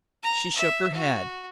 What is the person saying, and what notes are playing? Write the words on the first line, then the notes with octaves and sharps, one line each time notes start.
She shook her head.
A#5
E5
F#4